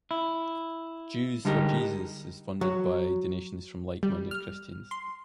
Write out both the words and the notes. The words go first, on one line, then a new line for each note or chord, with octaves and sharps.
Jews for Jesus is funded by donations from like-minded Christians.
E4
D3 G3 G#3 D#4 G4 A#4
F#3
G3
F6
C6